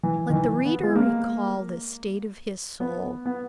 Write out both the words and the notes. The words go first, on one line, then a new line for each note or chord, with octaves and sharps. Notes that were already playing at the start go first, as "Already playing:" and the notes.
Let the reader recall the state of his soul.
E3
D#3
E3
B3
G#3
A#3
B3
B3